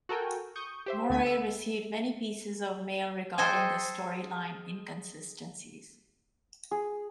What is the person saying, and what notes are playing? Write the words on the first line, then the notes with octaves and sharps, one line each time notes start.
Murray received many pieces of mail regarding the storyline inconsistencies.
F#4 A4 A#4 G5 G#5
C#6 D#6 G6
G4 C5 E5
D2 A3 G#5 G#6 B6
E6
G#4 A4 C5 D#5 G5 G#5
G#4